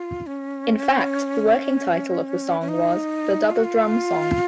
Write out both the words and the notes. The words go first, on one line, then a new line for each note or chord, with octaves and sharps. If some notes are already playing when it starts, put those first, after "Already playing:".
In fact, the working title of the song was "The Double Drum Song".
Already playing: F4
C#4
C#4
D#4
F4
F#4
F4